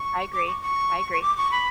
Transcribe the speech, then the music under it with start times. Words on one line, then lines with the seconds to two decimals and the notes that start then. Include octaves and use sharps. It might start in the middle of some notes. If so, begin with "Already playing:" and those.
I agree, I agree.
Already playing: C#6
0.33 D6
0.47 C#6
0.62 C#6
1.12 C#6
1.22 D6
1.38 C#6
1.52 B5